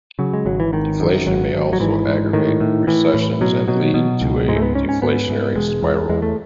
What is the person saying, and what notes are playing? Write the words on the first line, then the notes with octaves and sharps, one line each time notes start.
Deflation may also aggravate recessions and lead to a deflationary spiral.
C#3 F#3
G#3
G#1 F#3
E3
G#1 D#3
F#2
G#1 F#3
G#1
F#3
G#2 E3
G#2
A2 D#3
A2
A2 E3
A2
B2 F#3
B2 F#3
B2
C#2
G#2 G#3
A3
B3
G#2 C#4
C#4
G#2 B3
G#2
E1 G#3
E2
E2 G#3
A3